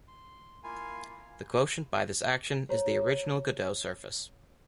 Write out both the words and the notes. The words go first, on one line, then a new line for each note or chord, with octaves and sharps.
The quotient by this action is the original Godeaux surface.
C6
A#3 E4 F4 F5 G#5
C5 C#5 A#5